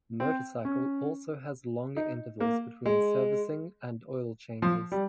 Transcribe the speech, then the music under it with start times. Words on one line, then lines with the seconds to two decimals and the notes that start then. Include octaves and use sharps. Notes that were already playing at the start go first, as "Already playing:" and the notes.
The motorcycle also has longer intervals between servicing and oil changes.
0.20 C4
0.65 C#4
1.97 D#4
2.40 A#3
2.86 G#3
4.62 F3
4.92 G3